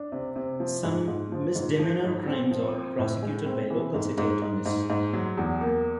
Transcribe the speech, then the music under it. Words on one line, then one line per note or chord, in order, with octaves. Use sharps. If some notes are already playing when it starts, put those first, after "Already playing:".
Some misdemeanor crimes are prosecuted by local city attorneys.
Already playing: D4
C3
C3
F3
G#2
G#2
F3
G#2
F3
G#2
C4
F3
C4
A2
G#3
C4
E3
G#2
G#2
G#2
G#2
G#2
F#3
E2
A#3